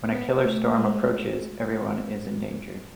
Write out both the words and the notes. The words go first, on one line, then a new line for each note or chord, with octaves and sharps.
When a 'killer storm' approaches, everyone is endangered.
B3
A3
G#3